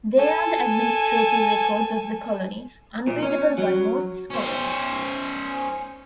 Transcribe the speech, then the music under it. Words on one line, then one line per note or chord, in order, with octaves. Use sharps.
They are the administrative records of the colony, unreadable by most scholars.
A4 G#5
A#2
C#4
F#3
C#4 C5